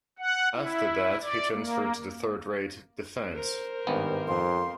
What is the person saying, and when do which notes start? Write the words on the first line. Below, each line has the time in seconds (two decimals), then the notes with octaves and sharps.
After that he transferred to the third-rate "Defence".
0.19 F#5
0.54 E4
1.21 D5
1.53 A#3
3.35 A#4 C5
3.87 G#1 G2 B3
4.27 F2 F5 C6